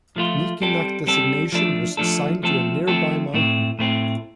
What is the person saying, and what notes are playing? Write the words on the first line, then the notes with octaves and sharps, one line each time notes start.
Mikinak designation was assigned to a nearby mountain.
F3 A3 F4
G3 C4 A4
G3 C4 A4
F3 A3 D4 A4
F3 A3 D4 A4
F3 A3 C4 A4
F3 A3 C4 A4
A2 A3 C4
A2 A3 C4